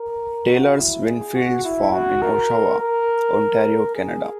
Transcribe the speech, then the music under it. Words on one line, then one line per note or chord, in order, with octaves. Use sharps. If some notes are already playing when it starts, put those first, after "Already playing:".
Taylor's Windfields Farm in Oshawa, Ontario, Canada.
Already playing: A#4
F#4
E4
G#4
F#4
E4
F#4
A#4
A#4
G#4